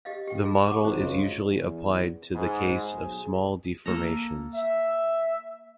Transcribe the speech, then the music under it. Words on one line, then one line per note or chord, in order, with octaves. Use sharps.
The model is usually applied to the case of small deformations.
G4 D#5 F5
G4 G5
G#4
F#5 C#6 D6
G#1 C5 A#5
C#2 F#4
E2
G#2 G#4 B4 C5
B1
A#3 A4 A#5
E5